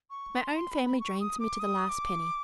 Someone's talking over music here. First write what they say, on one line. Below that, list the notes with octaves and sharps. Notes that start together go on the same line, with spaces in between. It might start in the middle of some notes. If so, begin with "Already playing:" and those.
My own family drains me to the last penny.
C#6
C6
B5
C6
B5
B5
C#6
D#6
D6
D#6
D6